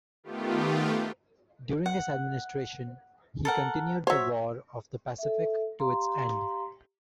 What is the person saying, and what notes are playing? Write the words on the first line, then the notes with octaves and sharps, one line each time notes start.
During his administration, he continued the War of the Pacific to its end.
D#3 A3 B3 F4 G4
F#5
A4 A#4 F#5
F#3 C5 C#5 E5
A4 E5
G4 F5 A#5 C6